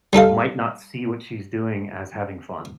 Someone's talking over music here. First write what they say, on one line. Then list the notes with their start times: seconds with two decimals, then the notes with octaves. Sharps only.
might not see what she's doing as having fun.
0.13 G3 D#4 A4 F5